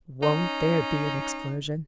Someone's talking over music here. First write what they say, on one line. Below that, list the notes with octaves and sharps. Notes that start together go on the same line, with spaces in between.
Won't there be an explosion!
C#4 D#4